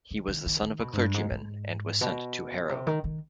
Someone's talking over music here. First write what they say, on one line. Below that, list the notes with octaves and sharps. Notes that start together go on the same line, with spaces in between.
He was the son of a clergyman and was sent to Harrow.
D3
D#3
D#3
D#3
B2
G#2
G2
G#2
G#2
B2
C3
D#3
D#3